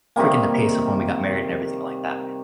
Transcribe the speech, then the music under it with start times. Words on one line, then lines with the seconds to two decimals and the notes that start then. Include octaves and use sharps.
quickened the pace of when we got married and everything like that.
0.16 C3 D#3 G3 A#3